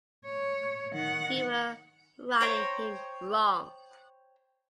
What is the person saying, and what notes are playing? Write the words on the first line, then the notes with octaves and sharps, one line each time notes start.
We were riding him wrong.
C#5
D#3 F#5
C5 C#5 G5 A#5